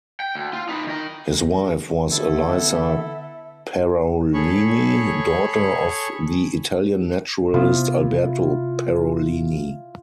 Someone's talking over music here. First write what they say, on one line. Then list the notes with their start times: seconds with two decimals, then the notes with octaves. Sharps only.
His wife was Elisa Parolini, daughter of the Italian naturalist Alberto Parolini.
0.20 G5
0.35 D2
0.53 F4
0.69 D#4 B4
0.87 D#3 D#5
2.11 D3 B3 E4 A4 E5
4.34 G#4 A4 C#5 B5 C#6
7.54 C3 B3 E4 F4